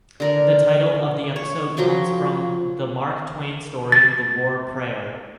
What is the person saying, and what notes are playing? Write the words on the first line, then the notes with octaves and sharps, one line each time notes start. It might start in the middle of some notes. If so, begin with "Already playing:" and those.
The title of the episode comes from the Mark Twain story "The War Prayer".
D3 A#4 D5
C#5
F3 F#3 G5 C#6
A6